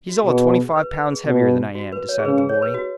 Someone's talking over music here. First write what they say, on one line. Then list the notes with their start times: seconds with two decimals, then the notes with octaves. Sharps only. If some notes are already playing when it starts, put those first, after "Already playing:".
"He's all of twenty-five pounds heavier than I am," decided the boy.
0.09 F#4
0.25 B2 G#4
0.76 B4
0.92 B4
1.08 G#4
1.26 B2
1.75 F#4
1.92 B4
2.09 C#5
2.19 G#4
2.25 C#3 B4
2.37 G#4
2.49 C#5
2.62 B4
2.74 F#4